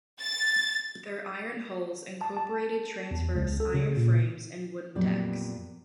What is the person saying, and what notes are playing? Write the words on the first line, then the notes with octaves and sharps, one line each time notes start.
Their iron hulls incorporated transverse iron frames and wooden decks.
A6
A5
A5
E2
C#2
A4
C#3
A#2
F2 A#2 F#3 B3 G4 D5